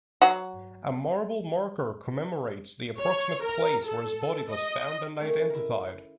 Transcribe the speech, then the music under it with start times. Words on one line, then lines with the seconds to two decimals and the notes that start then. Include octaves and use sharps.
A marble marker commemorates the approximate place where his body was found and identified.
0.22 F#3 F#4
2.99 C#5
3.43 A#4
3.83 A4
4.51 D#5
5.20 D#3 A3 C#4
5.50 E4 A#4